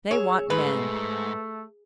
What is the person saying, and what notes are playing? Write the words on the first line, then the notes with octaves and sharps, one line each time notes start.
They want men.
G#4 C#5 E6
G#2 A3 B4